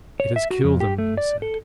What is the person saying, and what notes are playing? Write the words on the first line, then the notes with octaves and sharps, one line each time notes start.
"It has killed him!" he said.
C#5
E5
F#4
F2
G4
A3
D5
A4